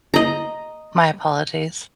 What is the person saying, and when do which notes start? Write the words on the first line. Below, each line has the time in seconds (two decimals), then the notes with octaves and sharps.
my apologies.
0.14 D#5 A#5